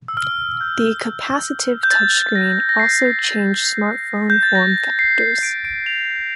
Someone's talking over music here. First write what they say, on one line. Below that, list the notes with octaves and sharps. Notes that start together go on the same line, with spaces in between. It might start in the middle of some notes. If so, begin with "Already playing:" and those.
The capacitive touchscreen also changed smartphone form factors.
E6
F6
G6
G6
A6
A#6
A#6
C7
G6
A6
A#6
C7
D7
D7
F7